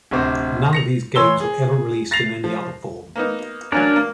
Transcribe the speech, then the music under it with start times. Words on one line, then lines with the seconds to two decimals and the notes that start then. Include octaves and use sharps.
None of these games were ever released in any other form.
0.11 D1 C3 F#4 C5 D6
0.73 A#6 C#7 F7
1.16 E3 C#5 C6 E6 G7
1.40 G#4
2.11 A6 A#6 C7 F7
2.44 F3
3.16 A#3 B3 D#4
3.72 F#3 A#3 C#4 D4 A#4 D5
3.96 A#3